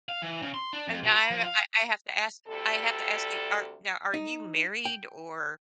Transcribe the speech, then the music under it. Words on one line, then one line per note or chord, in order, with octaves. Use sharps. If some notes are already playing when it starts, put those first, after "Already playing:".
And now I I have to ask I have to ask you. Are now, are you married? Or,
F5
E3
C#3
C6
D4
F2
B2
B5
F3
F5
D2 C3 G3 A4
D#4
G5